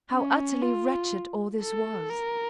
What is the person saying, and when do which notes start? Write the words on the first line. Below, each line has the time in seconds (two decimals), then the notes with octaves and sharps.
How utterly wretched all this was.
0.13 C#4
0.62 F4
1.62 A4
2.10 A#4